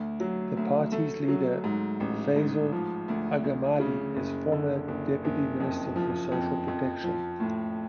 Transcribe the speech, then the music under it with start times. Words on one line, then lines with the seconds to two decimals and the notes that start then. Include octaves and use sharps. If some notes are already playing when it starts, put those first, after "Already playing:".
The party's leader Fazail Agamali is a former deputy minister for social protection.
Already playing: D2
0.20 F#3
0.57 D2
0.92 A3
1.28 F#3
1.64 G#2
2.00 A1
2.36 G#2
2.72 F3
3.08 D2
3.44 D2
3.80 C#3
4.16 F#1
4.52 D3
4.88 F#1
5.24 F#1
5.60 F2
5.96 F3
6.31 F2
6.68 F2
7.04 F3
7.40 A2